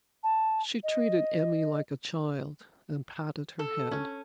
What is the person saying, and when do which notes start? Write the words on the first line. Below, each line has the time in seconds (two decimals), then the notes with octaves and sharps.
She treated Emmy like a child and patted her head.
0.23 A5
0.83 D#5
3.59 A4
3.91 C#4